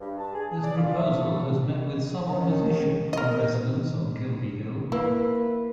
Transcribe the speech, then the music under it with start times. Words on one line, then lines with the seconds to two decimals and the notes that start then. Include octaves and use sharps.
This proposal has met with some opposition from residents on Kilvey Hill.
0.01 G2
0.18 A5
0.33 G#4
0.51 G#4
0.64 D5
0.77 F4
0.96 E5
1.17 A4
2.30 D#3 C#4
3.13 D#4 A#4 D#5
4.92 A#3 E4 B4